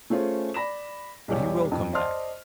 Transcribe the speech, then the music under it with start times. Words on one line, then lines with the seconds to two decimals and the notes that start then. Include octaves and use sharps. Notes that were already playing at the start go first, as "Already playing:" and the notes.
But he will come back.
0.10 A3 C#4 F4 G#4 C5 C#5
0.54 D5 B5 A#6 E7
1.28 B1 E2 G3 G4 C#5
1.72 F2
1.92 C5 D5 D#5 A5 C6 F6